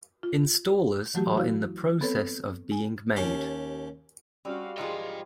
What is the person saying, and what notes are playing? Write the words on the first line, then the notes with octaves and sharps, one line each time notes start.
Installers are in the process of being made.
F4
E3 F#3 A3 F#4 G4
E4 F#4 F5
B3 C4 A4 B4 C#5
G#5
D#2 C#4 G4 A5
G3 C4 C#4 F#4 F5
G#2 F3 F4 G#4 D#5 G5